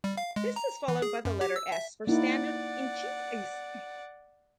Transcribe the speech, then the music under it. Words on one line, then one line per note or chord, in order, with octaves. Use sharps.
This is followed by the letter S for standard InChIs.
G3
F5
G#3
A#5
E3
G#4
F#2
G4
E6
E5
A#3 D#4 E4 D5 F#5